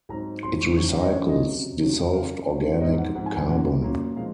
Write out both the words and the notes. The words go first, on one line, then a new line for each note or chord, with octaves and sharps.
It recycles dissolved organic carbon.
G#2 F#3 C4 A#5
G#2 F#3 C4 C6
C#6
F#2 C#3 F3 C#6
F5
D#5
F#2 C#3 F3 C#5
D#5
C3 F#3 C#4
C3 F#3 C#4
C#3 F#3 C4 F5
C#3 F#3 C4
G#2 F3 C4 D#5
F#5
G#2 F3 C4 F#5
G#5
G#5
A#2 F#3 A#3 C#4 F#5
A#2 F#3 A#3 C#4
A#2 F3 G#3 C4 F5